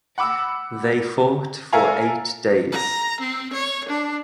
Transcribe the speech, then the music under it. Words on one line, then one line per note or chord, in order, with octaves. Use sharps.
They fought for eight days.
F#5 B5 D6 E6
A4 A#4 E5 F5 G#5 A#5
A#5
C4
C#5
D4